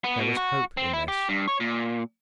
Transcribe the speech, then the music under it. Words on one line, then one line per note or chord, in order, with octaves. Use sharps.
There was hope in this.
B3
B2
F#4
C4
E4
G4
G2
C#5
A#2